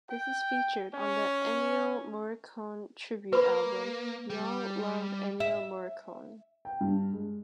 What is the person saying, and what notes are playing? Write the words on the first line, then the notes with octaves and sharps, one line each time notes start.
This is featured on the Ennio Morricone tribute album, "We All Love Ennio Morricone".
G5
C#4
A#3 B4 B5
G3
E5
G5
G2
G#3